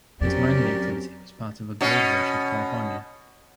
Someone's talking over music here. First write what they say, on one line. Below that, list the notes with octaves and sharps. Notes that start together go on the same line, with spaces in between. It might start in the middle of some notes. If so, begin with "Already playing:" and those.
This mining activity was part of the Gold Rush of California.
F2 F#3 C4 C#4 G4 A#4 D5
B2 C#4